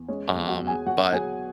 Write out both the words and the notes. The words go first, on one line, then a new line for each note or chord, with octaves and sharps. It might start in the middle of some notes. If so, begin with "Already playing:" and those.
Um, but,
Already playing: E2
G#3 C#4 C#5
E2
F#4 F#5
E2
G#4 G#5
F#3 F#4 F#5
F#3 G#4 G#5